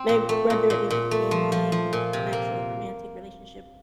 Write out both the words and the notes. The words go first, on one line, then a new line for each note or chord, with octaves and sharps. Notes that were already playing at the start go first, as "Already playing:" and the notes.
may whether it be, like, family or, like, an actual romantic relationship,
Already playing: C4
A#2
A3
A#2
A#2
A#2
A3
F3
F3
F3
A#2
C3
A#3